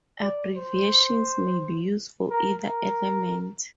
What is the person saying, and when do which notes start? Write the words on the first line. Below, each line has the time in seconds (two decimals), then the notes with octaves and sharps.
Abbreviations may be used for either element.
0.20 D5
0.56 C5
2.30 A#4
2.65 A#4